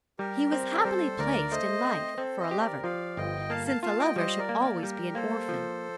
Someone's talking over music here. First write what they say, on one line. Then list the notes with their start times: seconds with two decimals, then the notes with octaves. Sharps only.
He was happily placed in life for a lover, since a lover should always be an orphan.
0.19 G3 G4 A#4
0.52 C4
0.75 D5
0.85 G3 A4 C5
1.18 D2 A#4 D5
1.51 A3 C5 D#5
1.85 C4
2.18 C4 A4 C5
2.40 C5 D#5
2.51 G4
2.61 A#4 D5
2.84 F3 D5 F5
3.17 G1 D#5 G5
3.50 A#3 F5 A5
3.67 F5 A5
3.83 F4 F5 A5
4.00 D#5 G5
4.16 G3 C5 D#5
4.38 A#4 D5
4.49 A#3
4.60 A#4 D5
4.77 A4
4.82 G3 G4 A#4
5.15 A#3 A4 C5
5.49 F3